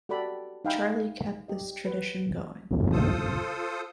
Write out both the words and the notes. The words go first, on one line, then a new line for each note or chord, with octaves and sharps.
Charlie kept this tradition going.
F#4 G4 A4 D5 B5
D#4 E5 F5 G5 G#5 B5
G4 D#5
B4
F4 A4 C5 D#6